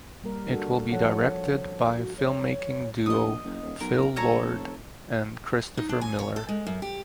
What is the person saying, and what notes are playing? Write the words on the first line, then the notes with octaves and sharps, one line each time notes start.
It will be directed by filmmaking duo Phil Lord and Christopher Miller.
G3 A#3 A#4
D4 F#4 A4
F3 A4 C#5 F#5
F#4
C#5
A#1 D#5 D#6
F#1
D#1
B1 A#4
G1 A4 C#5 A#5
F1
D#4
D4
G#5
C#5
A4
G#3
F#2
G4